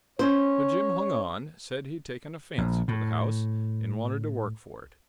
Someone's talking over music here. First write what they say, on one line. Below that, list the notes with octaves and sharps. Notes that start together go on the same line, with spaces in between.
But Jim hung on--said he'd taken a fancy to the house, and wanted to work for it.
C#4 C5 C#5
A#1
A2